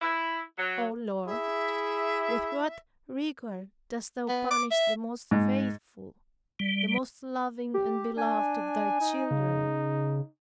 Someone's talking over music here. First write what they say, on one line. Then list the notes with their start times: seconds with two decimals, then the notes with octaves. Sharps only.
O Lord! with what rigor, dost Thou punish the most faithful, the most loving and beloved of Thy children.
0.01 E4
0.57 F#3
1.27 E4 G#4 E5
4.28 B3
4.51 D6
4.71 E5
5.31 G#2
6.60 G3
7.74 G4
8.18 D4 G#5
9.01 D#4
9.31 C#3